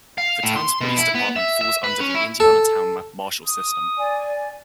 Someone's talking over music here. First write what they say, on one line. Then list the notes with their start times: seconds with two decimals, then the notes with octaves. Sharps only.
The town's police department falls under the Indiana town marshal system.
0.18 F5
0.43 A2
0.56 C6
0.81 B2
0.97 E4
1.15 B3
1.36 E5
1.61 E5
1.84 B4
2.00 C#4
2.14 E4
2.40 A4
3.45 D#6
3.98 D5 G#5